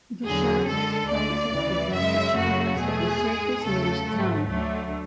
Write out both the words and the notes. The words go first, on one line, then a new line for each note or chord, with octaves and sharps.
The Sheriff promises to drop the charges if the circus leaves town.
E2 D3 F#3 G#4
F#2 D3 G#3 A4
D2 D3 A3 D5
D2 C#3 E3
F#2 C#3 G#3 E5
F#2 C#3 F#3 A3 F#4
E2 B2 A3 G#4
G#2 G#3
E2 C#3 F#3 A3 A4
G#2 F#3 A3
D2 D3 F#3 A3